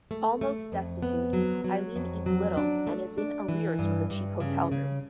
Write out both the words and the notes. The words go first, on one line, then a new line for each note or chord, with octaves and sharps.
Almost destitute, Eileen eats little and is in arrears for her cheap hotel room.
A3
A3
F2
B3
F#3
F#3
F2
F#3
D4
A3
D4
E3
G2
G2
C#3
C#3